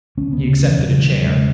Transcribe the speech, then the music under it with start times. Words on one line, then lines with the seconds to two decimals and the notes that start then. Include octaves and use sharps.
He accepted a chair.
0.17 D2 C#4
0.33 B3
0.38 C#3
0.48 C#4
0.58 E1
0.64 E3
0.79 C#3 F#3
0.94 E3
1.00 E1
1.10 F#3
1.21 C#3
1.26 G#3